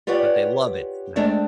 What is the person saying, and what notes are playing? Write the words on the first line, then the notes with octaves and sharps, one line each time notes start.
But they love it now,
F4 G4 B4 C#5 D5 F#5
G#3 A3 C4 D4